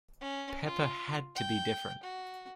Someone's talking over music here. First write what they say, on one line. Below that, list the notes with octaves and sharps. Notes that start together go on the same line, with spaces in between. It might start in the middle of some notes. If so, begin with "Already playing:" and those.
Pepper had to be different.
C#4
F4
G5
F#4